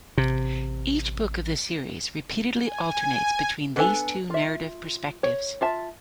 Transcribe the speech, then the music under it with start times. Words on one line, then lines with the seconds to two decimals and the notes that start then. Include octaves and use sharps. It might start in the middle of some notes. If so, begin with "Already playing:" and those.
Each book of the series repeatedly alternates between these two narrative perspectives.
0.18 A1 C3
2.62 G#5
3.76 B3 D4 A4 F5 G#5
4.30 F4 E5
5.23 C#5
5.61 F4 E5 A5